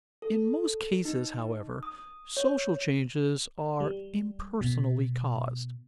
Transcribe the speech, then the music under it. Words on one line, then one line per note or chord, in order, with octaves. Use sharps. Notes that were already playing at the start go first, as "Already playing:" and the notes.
In most cases, however, social changes are impersonally caused.
A4
D#4
D#6
C#5
G3
B2